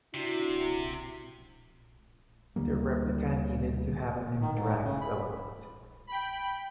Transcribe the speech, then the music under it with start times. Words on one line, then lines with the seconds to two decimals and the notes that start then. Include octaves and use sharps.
The replica needed to have an interactive element.
0.14 C3 D4 E4 F#4
2.56 D2 D3 G3 A#3
4.41 D#3
4.55 G#2
4.84 C#3
5.01 B5
6.07 G5 B5